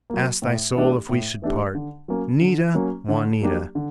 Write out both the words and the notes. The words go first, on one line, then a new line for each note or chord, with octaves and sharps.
Ask thy soul if we should part, 'Nita, Juanita!
F#3 A#3
A2
E3 A3 D4 G4
A2
E3 A3 D4 G4
D3
F#3 A#3 C#4
D3
F#3 A#3 C#4
D3
F#3 A#3 D4 G4
D3